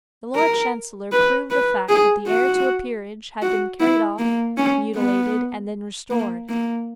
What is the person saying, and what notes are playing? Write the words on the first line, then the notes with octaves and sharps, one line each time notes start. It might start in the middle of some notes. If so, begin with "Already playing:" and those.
The Lord Chancellor proved the fact that the heir to a peerage had been carried off, mutilated, and then restored.
A#4
B4
B4
G#4
F#4
F#4
E4
A#3
C#4
B3
A#3
A#3